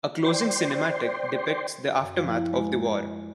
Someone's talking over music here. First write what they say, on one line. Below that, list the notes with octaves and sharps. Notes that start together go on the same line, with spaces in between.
A closing cinematic depicts the aftermath of the war.
C5 D5 G5 C6
F#2
F3
E4
G#3